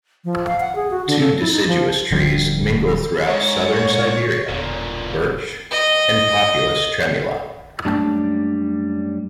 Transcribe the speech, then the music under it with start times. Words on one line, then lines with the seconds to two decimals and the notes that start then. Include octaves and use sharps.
Two deciduous trees mingle throughout southern Siberia: birch and Populus tremula.
0.25 F3
0.47 F5
0.60 F#5
0.75 G#4
0.91 F#4
1.07 D3
1.19 A4
1.40 E4
1.51 D#4
1.67 F3
2.11 D1 D3 F3 G3
3.26 E2 G#2 C#5
4.49 E1 C2 A#2 D3
5.71 D#5
7.85 F#2 G3 A3 A#3 D4 A5